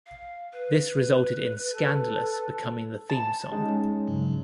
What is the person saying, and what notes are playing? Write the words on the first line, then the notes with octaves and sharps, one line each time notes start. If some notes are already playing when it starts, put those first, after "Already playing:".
This resulted in "Scandalous" becoming the theme song.
F5
B4
A4
A5
G3 G#3 C#4 D#4
G2 C#3 F#3